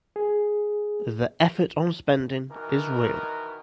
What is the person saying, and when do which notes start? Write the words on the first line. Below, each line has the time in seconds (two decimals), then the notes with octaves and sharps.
The effort on spending is real.
0.16 G#4
2.51 B2 D#3 E3 A#4